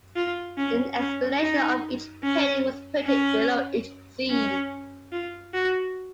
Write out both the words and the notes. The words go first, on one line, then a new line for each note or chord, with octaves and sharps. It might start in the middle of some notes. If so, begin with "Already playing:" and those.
An explanation of each painting was printed below each scene.
F4
C#4
C#4
D#4
C#4
C#4
C#4
F4
F#4